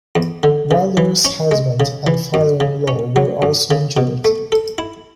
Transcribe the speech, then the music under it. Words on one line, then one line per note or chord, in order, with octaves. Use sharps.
Wilder's husband and father-in-law were also injured.
E2
D3
C#3
E3
C#4
G#3
C#3
E3
F#2
C#3
C#4
F#3
F#2
C#3
B2
A3
A4
E4